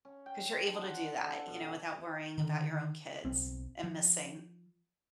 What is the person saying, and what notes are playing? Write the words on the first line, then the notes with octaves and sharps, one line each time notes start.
'Cause you're able to do that, you know, without worrying about your own kids and missing
C#4
G5
C5
D4
F#5
F#5
A4
B2
D3 D#3
B1 C4
F3